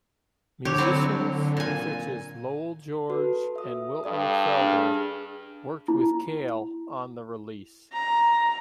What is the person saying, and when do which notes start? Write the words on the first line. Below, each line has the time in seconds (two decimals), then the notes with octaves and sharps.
Musicians such as Lowell George and Wilton Felder worked with Cale on the release.
0.65 D3 G4 C#5
0.78 F#3 C4 E4
1.57 A#2 G#5
3.10 F#4 A4 B4
3.56 E5 D#6
4.04 G2 A4 D5 D#6
4.59 D4 G#4 F6
5.88 E4
7.93 A#5